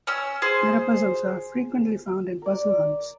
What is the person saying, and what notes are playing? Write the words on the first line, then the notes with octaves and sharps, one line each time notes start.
Metapuzzles are frequently found in puzzlehunts.
C#4 E6
G#4 C5
A#4 D5